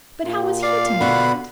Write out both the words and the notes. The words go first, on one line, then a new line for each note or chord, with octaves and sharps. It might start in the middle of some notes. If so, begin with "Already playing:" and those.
But how was he to know that?'
A#2
D5 F5
B2 D3 F#5 B5